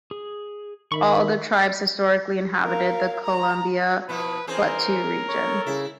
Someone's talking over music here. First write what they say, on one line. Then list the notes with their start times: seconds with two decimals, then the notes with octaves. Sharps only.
All the tribes historically inhabited the Columbia Plateau region.
0.11 G#4
0.92 D#3 E5 B5 C#6
2.63 A#4 F5
3.24 A#5
4.09 B2 F3 E4 B4
4.47 E3 C4 C#4 G#4 A#4 C5
5.28 A4 C#5
5.66 C#3 E4